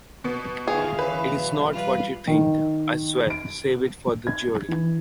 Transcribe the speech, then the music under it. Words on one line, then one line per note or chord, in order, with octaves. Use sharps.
It’s not what you think, I swear! Save it for the jury!
B2 B3
D3 D#3 F4 G#4 E5 F5
E3 C#4 B4
E2 B2 F#3
G3 F4 B4
D#3
D7
G#6
E3